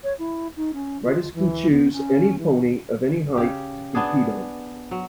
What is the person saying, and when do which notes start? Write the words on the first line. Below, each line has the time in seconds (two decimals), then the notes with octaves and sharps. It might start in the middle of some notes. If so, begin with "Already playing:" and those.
Riders can choose any pony of any height to compete on.
0.03 C#5
0.19 E4
0.56 D#4
0.73 C#4
1.02 F4
1.34 E3
1.71 B3
1.92 C#4
2.38 E3
3.37 C#3 G4
3.95 B3 D4 G#4
4.91 F#3